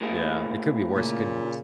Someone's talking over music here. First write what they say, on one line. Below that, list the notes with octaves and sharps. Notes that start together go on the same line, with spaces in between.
Yeah, it could be worse, it could be s
A2 A#3 G#4
A#2 C#3